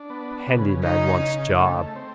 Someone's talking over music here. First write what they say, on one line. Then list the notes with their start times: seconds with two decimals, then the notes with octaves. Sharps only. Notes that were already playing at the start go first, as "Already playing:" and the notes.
Handy man wants job.
Already playing: D4
0.10 B3
0.47 C#3
0.84 C#3 D#4
1.21 C#3
1.59 A3
1.96 C4